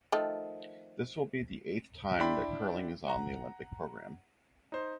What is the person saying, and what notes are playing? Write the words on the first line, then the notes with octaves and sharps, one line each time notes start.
This will be the eighth time that curling is on the Olympic program.
D#3 F3 A3
D4 E4 G5 B5 C6
F#5 A#5
D#4 C5